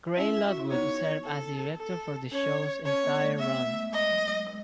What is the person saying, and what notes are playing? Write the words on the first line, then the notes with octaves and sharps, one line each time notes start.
Grey Lockwood served as director for the show's entire run.
C#4 E4 E5
F#4
E4
B3 D#4 C#5
A4
A4
C#4 C#5
C#4 C#5
B3
B3
A3
B3 E5
B3
A3
G#3
G#3 D#5
F#3
G#3
G#3